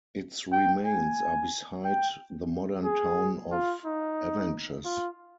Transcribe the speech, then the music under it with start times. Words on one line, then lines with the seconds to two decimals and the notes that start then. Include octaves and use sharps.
Its remains are beside the modern town of Avenches.
0.52 G5
0.86 G#5
1.85 G5
2.85 G#4
3.52 F4
3.85 D#4
4.85 F4